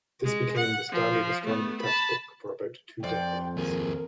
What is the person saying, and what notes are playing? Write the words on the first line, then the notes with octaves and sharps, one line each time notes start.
This became the standard astronomy textbook for about two decades.
G#3
F#5
F3
A3 B3
A5 B5
F2 D5 G5
D#2 G#4 A#4